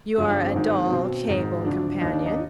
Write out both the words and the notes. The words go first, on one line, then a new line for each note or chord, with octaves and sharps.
You are a dull table-companion.
G1 G2 D3 F3 G#4
D4
C4
G#1 G#2 D#3
B1 B2 C4
G#1 G#2 D#3
D2 D3 F3 D4
D#2 D#3 D#4
D4
D#4